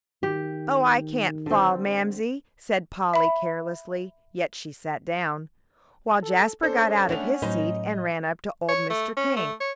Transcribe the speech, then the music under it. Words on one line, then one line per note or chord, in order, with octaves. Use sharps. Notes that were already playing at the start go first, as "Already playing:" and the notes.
"Oh, I can't fall, Mamsie," said Polly, carelessly, yet she sat down, while Jasper got out of his seat and ran up to old Mr. King.
D#3 G4
D3 C4
E5 B5
A4
C#4 D4 A4 C5
A3 B3 D4 F#5 F7
A2 F#3 D#4 B4 C5 D#5
C#5
A3
C#4
A3
C#5